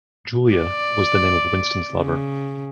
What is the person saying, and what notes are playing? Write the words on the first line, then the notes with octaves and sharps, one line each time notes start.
"Julia" was the name of Winston's lover.
D5
C#3